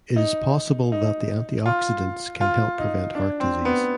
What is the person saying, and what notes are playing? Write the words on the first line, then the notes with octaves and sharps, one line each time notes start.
It is possible that the antioxidants can help prevent heart disease.
D#4
D#4
F4
F4
D#4
D4
C4
B3